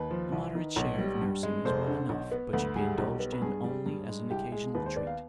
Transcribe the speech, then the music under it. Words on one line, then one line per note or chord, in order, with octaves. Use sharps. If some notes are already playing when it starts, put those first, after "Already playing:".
A moderate share of nursing is well enough, but should be indulged in only as an occasional treat.
Already playing: D#2 B4
F3
C2
D#3
B1
G3
G2
G#3
F1 C5
D3
B1
B3
D2 B4
G3 G#4
B1 G4
B3
B4
G2 G#4
G3
G2
G#3
C2 G4
G#3 G#4
D#2 B4
C5
B3 D5
F5